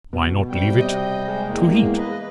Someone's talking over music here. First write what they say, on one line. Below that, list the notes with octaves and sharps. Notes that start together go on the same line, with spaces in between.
"Why not leave it to Heat?"
B2
C3 G3 G5
D#5
G#3
E2 A#3
B4 D#5